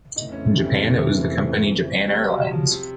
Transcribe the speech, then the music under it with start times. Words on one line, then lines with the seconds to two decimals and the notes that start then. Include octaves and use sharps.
In Japan it was the company Japan Airlines.
0.16 F2 C#3 E3 A3 C4 D#4
0.32 C#4
0.64 G3
2.07 G3
2.29 F#3
2.51 F3
2.72 C3